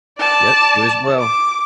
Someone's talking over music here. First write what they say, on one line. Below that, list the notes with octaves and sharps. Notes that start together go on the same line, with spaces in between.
Yep, you as well.
D5 A5
D6